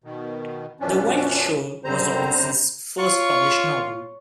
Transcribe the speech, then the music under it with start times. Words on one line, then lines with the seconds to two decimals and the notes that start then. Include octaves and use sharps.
"The Wild Shore" was Robinson's first published novel.
0.04 B2 D#3
0.80 F#2 B2 F3 C#4 D4
1.84 F#2 D3 G3 C4 C5 A#5
2.99 F4 C#5 C#6